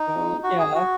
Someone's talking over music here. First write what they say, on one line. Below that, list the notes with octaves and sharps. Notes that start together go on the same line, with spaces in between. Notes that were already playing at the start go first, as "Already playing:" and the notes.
soon, yeah.
Already playing: D#4
F#4
G#4
F#4